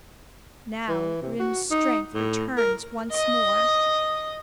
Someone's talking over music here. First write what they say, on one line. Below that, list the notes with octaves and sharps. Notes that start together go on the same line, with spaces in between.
Now Grim's strength returns once more.
E3
C3
F#4
D#4
A2
A#4
D#5 D#6